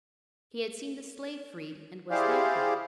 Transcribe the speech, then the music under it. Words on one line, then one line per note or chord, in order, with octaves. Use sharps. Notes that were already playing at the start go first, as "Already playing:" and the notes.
She had seen the slave freed, and was thankful.
E4 G4 G#4 C5 D5 F5